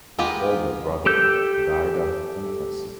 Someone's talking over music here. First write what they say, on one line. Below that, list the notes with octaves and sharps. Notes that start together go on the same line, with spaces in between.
His older brother died at infancy.
G#3 B3 F4 G4 A#4
G4 A4 G6